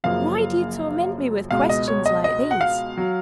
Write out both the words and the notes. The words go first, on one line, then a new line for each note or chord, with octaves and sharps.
Why do you torment me with questions like these?
F#1 F#2 C#3 F3 A#3 F5
C#2 B2 G#3 F5
D#5
C#5
D#5
D#5
F#5
F5
F#3